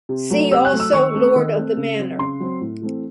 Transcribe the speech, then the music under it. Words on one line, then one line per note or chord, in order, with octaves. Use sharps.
See also Lord of the Manor.
C3
F#3 A3
C3 E6
F#6
F#3 A3
E6
D#3 C#6
A3 C4
D#3
A3 C4
C#3
F#3 C4
C#3 C6
F#3 C4
A2
E3 A3 C4